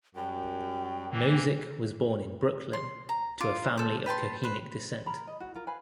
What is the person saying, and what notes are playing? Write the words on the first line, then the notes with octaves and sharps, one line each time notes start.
Nozick was born in Brooklyn to a family of Kohenic descent.
F#2 G3 G5
E3 A#3
C6
A#5
F4 D6
A4 C5
B4 G5 A5 C6
B4 C5
A#4 A#5 B5
D#5
F#4
F4 A#4
B4 F5 G#5 B5